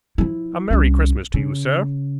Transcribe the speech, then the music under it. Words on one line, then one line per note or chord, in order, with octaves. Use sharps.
A merry Christmas to you, sir!'
F3 E4
C2 C#4
C#3